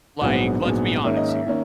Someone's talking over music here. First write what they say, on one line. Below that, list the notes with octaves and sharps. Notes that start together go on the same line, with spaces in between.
Like, let's be honest here.
A#1 G#2 F#3 B3 F#5
A#1 G#2 F#3 B3
G#2 D#3 A#3 C#4 E5
D#5
E5
D#3 A#3 C#4